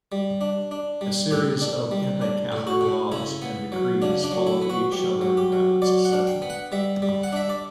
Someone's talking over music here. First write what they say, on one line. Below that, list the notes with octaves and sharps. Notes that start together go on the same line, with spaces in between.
A series of anti-Catholic laws and decrees followed each other in rapid succession.
G3
D4
D4
G3
A2 G4
D4
G3
D4
A2
F#4
A2
C#3 E4
B3
F#3
C#3 D4
D4
F#3
E4
B3
F#4
F#3 G4
F#3
G4
F#3
F#3 D5
F#5
D4
G5
B3
F#5
G3 E5
G3
F#5
D4 E5
D5